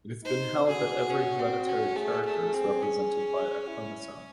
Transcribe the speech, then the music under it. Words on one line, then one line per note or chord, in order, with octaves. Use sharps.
It has been held that every hereditary character is represented by a chromosome.
D#4 C5
F#4 G#4
C#4
C4
C#4
A3 G#4
A3
C4
C#4
E4